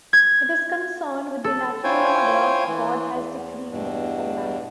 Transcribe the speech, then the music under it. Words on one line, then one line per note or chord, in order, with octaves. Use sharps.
It is concerned with the natural order God has decreed for man.
G#6
A4
E4 F4 C5 C#5 G5 G#5
E3
E2
E2 G2 B2